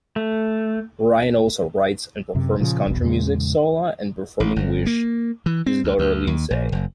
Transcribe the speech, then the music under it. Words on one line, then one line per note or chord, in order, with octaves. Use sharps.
Ryan also writes and performs country music solo and performing with his daughter Lynsay.
A3
F#2 C3
A#2 C#3 F3
F1 B1 E2 B2
E2 A#2 C#3 G#3
A1
G1
A#3
E3
C4
D2
D2
D#2
A#1
F#1